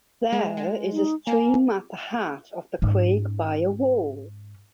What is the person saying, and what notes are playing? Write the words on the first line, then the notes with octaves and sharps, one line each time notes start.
There is a stream at the head of the creek by a wall.
G#3
G#3
D#4
A#3 G#5
G#2 C#4